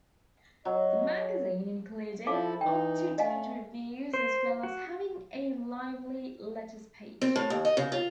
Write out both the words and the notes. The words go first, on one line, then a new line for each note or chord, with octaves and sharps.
The magazine included up-to-date reviews, as well as having a lively letters page.
F#3 D#5
F3 E4 A4 F5 D6
E3 D#4 G5
A3 D#5 F5 G#5
C5
F#4
C4
A2
D#2
D#5
C#3
F4